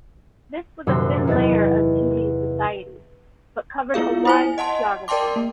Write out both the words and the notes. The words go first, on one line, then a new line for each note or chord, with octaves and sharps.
This was a thin layer of Indian society, but covered a wide geography.
D#1 F#2 C3 C6 E6
E2 D#5 A6
B3 E4 F4 G#4 F5
E4 C5 G#5
D#5 F#5 A5 C6
A#4 D5 G5 A5 C6 D6
A#3